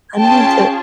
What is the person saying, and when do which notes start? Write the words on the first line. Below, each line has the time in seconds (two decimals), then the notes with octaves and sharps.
I need to
0.20 C#4 F4 G#4 G5 A5